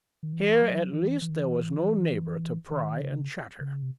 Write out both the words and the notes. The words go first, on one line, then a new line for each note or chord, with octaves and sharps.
Here at least there was no neighbour to pry and chatter.
D#3
E3
F#3
E3
E3
D#3
E3
D#3
C#3
C#3
C3